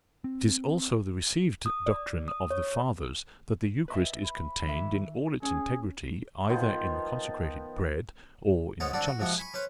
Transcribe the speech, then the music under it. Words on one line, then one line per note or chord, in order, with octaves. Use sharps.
It is also the received doctrine of the Fathers that the Eucharist is contained in all its integrity either in the consecrated bread or in the chalice.
C4
D#6
D5
D#6
C#5
B4 D#5 E5
B5
D#3 E5
C#4 G#4
D#3 F3 B3 C5
G#2 B3 C#4 D#4 C5
D3 G3 C4 D4 F#4
F#4
C3 F3 G#3 F#4
G#5 B5 C#6
C#4 B4 C5